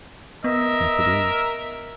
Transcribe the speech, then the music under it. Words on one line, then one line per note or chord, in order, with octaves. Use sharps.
"Yes, it is."
B3 A#4 D#5 E5